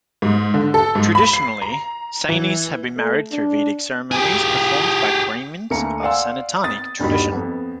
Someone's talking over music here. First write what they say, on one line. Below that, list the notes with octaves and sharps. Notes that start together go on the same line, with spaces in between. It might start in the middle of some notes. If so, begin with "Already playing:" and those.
Traditionally, Sainis have been married through Vedic ceremonies performed by Brahmins of Sanatani tradition.
G#2
D3
A4
G#2
B5
C7
A#5
E3
A3
D4
G4 G#4
D2 A3 A#3 A#5 C#7
D5 F5 F#5 G#5 C6 E6
D#6 A6
D#1 G2 G3 D#4 F#4 B5
F2 B3